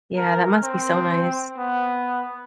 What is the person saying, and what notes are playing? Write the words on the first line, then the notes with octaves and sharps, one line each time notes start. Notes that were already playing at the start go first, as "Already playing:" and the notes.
Yeah, that must be so nice.
A#4
C4
B3